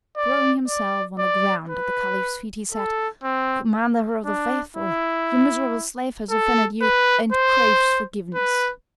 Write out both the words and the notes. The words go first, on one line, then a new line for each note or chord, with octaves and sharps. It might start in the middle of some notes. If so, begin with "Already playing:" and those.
Throwing himself on the ground at the Caliph's feet, he said: "Commander of the Faithful, your miserable slave has offended you, and craves forgiveness."
D5
D5
D5
B4
A4
C4
D4
E4
A4
B4
C5
B4